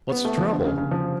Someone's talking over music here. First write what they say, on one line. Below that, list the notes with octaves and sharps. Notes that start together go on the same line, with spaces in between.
"What's the trouble?"
B3
A3
F3
D3
C#3
C#3
F3